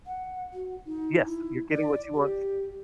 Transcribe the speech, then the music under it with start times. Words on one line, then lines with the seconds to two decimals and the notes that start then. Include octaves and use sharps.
Yes, you're getting what you want
0.06 F#5
0.53 F#4
0.85 D#4
1.26 E4
1.70 D5
2.14 G4